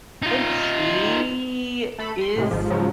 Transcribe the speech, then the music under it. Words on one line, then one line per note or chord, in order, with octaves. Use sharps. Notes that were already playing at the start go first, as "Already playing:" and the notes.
and she is
D#4 F4
A3 A4 B5
C6
A2 C3 G#3
G#1 G#2 F3
G#2 C#3 F3 F#3